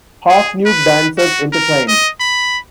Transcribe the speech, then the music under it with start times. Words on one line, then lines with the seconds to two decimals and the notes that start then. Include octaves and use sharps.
Half-nude dancers entertained.
0.29 G#4
0.66 B4
1.18 F#4
1.52 A#4
1.88 D#5
2.20 B5